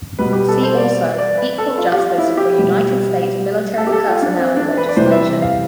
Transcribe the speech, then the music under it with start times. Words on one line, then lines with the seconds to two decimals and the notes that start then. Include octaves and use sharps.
See also Equal Justice for United States Military Personnel legislation.
0.19 B2 G3 B4
0.33 G4
0.48 A4
0.63 C5
0.78 D5
0.99 D5
1.18 D5
1.38 B4
1.58 A4
1.78 F4
1.92 G4
1.98 F4
2.18 E4
2.37 G4
2.58 B2 G3
3.78 A4
3.87 G4
3.92 A4
4.08 F4
4.22 D4
4.37 C4
4.56 D4
4.77 B4
4.89 D5
4.96 C3 E3 G3 C5
5.12 E5
5.42 F5